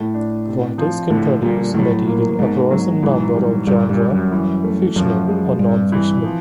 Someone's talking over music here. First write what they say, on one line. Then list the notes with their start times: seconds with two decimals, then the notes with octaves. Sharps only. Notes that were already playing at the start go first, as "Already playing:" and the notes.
Writers can produce material across a number of genres, fictional or non-fictional.
Already playing: A2 A3
0.14 D4
0.46 C3
0.78 F3
1.10 A2 D3
1.42 A#2 G3
1.74 A2 F#3
2.07 A#3
2.39 G#2 B2
2.71 F#3
3.03 G#2 E3
3.35 G3
3.67 G2 D3
3.89 G2
3.99 G3
4.10 F#2
4.32 E3
4.64 A3
4.96 F#2 F3
5.28 G#3
5.59 G2 C3
5.92 E3
6.24 F3